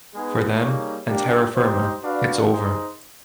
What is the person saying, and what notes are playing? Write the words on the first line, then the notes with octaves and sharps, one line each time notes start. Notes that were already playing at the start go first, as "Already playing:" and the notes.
For them and Terra Firma it's over.
G#3 B3 D#4 G#4
G3 A#3 D#4 G#4 C#5
A#3 D4 G4
D#4 G4 C5
D4 F#4 B4 D5 F5
D#4 G#4 C5